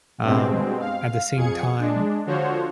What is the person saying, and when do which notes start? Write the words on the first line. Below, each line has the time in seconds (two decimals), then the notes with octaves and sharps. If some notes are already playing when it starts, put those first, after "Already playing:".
um, at the same time,
0.23 G2 B2 G#3 C4
0.80 F5
1.35 F2 G#4 G#6 C#7
1.79 G#3 D4
2.26 D3 F3 F#4 C5 C#5